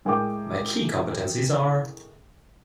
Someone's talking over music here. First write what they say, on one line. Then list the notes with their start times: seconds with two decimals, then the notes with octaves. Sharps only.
My key competencies are...
0.05 A2 G#3 A#4 G5 D6